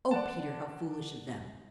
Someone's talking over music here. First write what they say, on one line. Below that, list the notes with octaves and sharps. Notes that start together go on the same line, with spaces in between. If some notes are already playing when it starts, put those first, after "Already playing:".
"Oh, Peter, how foolish of them!"
D5 F#5 A5